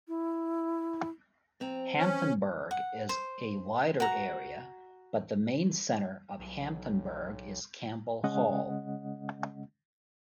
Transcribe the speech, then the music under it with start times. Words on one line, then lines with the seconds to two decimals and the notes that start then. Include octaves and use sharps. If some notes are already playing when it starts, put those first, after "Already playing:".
Hamptonburgh is a wider area, but the main center of Hamptonburgh is Campbell Hall.
0.08 E4
1.60 F2 C4 A#5
1.97 C#4
2.71 F#5
3.09 C5
4.00 F#4 A#5
6.40 B1
8.23 C#3 G#3 C#4 D#5 F#5